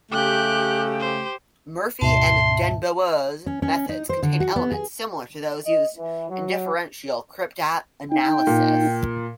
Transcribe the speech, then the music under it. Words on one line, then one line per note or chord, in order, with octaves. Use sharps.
Murphy and den Boer's methods contain elements similar to those used in differential cryptanalysis.
C#3 A3 G4 F#6 G6
G4 C5
D2 G#2 B2 E5 A5 C6
C#4
C#4
D#4
C5
D3
F#4
B3
G#4
D#5
E3
F#3
D#4 G5
A#2